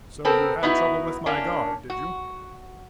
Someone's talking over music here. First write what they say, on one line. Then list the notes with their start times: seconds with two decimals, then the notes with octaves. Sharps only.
"So you had trouble with my guard, did you?"
0.25 B3 C4 A4 A#4
0.63 B3 D#4 E4 F#4
1.26 A#3 C#4 D4
1.90 F#4